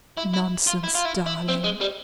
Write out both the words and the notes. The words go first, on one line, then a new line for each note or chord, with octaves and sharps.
'Nonsense, darling!
E4
E4
F4
E4
F4
E4
E4
C4
G#3
G3